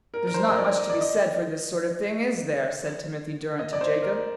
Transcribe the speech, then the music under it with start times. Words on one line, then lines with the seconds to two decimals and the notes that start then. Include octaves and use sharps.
"There's not much to be said for this sort of thing, is there?" said Timothy Durrant to Jacob.
0.14 A#4
0.27 A#4
0.34 C5
0.48 D#5
0.57 D5
0.79 D#5
0.90 D5
1.01 D#5
3.59 D#5
3.73 D5
3.81 C5
4.02 A#4